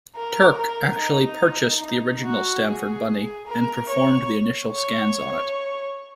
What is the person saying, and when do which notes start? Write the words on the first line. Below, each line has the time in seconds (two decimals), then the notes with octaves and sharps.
Turk actually purchased the original Stanford Bunny, and performed the initial scans on it.
0.16 A#4
0.58 A#4
0.99 D#4
1.82 D#4
2.24 F#4
2.64 G#4
3.47 A#4
3.89 C#5
4.72 C#5